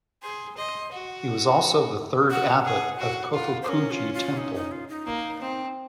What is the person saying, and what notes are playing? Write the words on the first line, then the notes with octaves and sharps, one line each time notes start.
He was also the third abbot of Kofukuji Temple.
G#4 C6
D#5 C6
F#4
F#4 F#5
G#4
F#4
F4
C5
C#4 A#4
F4
F4
D#4
D#4
F4
D#4
A#3
C4